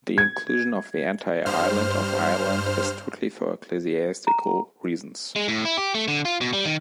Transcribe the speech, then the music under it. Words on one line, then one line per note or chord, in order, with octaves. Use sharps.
The inclusion of the entire island of Ireland is strictly for ecclesiastical reasons.
G#6
G2 C5 F6
A#5
G#3
A2
E4
G4
A3
D3
F4
B2
G3
D#3